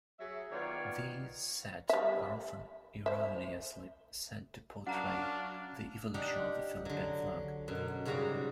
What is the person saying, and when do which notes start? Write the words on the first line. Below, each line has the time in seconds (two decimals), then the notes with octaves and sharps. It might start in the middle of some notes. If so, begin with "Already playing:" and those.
These set are often erroneously said to portray the "Evolution of the Philippine Flag".
0.19 F#3 G#4 E5
0.52 D#3 B3 F4 C#5 D5
1.89 G3 E5
3.06 C5 E5
4.87 F#2 D4 F#4 F5 F#5 A#5
6.14 D4 D#4 G4 F5 F#5
6.85 D3 F#3
7.68 F#2 B2
8.05 G#2 C#3 G3 F#4 D5 A#5